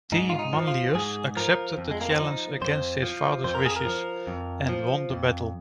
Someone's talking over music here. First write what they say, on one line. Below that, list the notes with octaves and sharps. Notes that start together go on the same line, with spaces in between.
T. Manlius accepted the challenge against his father's wishes and won the battle.
G#2 D#4
F4
D#4
F3
F4
G#2 G#4
F3 A#4
F2
G#3
A#3
C4
F3 D#4
F2 C5
F3
F2 C5
A#4
G#4
A#4
F3
F2
F3
F2